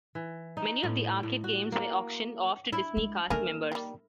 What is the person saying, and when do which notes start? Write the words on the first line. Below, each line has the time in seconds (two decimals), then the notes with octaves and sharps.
Many of the arcade games were auctioned off to Disney Cast Members.
0.15 E3
0.57 D#4
0.83 A2
1.23 A2
1.44 F#4
1.72 A#3
2.73 E4
2.97 G#3
3.30 A3 A#3 D4 D#4 G#4 A#4
3.72 D#3 G3